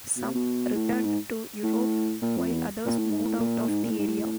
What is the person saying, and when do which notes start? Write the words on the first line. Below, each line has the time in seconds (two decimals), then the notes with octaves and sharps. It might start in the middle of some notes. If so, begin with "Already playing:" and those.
Some returned to Europe while others moved out of the area.
0.17 B2
0.25 C3
0.35 B2
0.75 A2
1.04 G#2
1.63 A2
2.22 A#2
2.37 F2
2.51 E2
2.86 A#2
2.98 A2
3.09 G#2
3.24 A2
3.39 A#2
3.68 G#2
3.84 A#2
3.91 A2
3.99 G#2
4.06 A2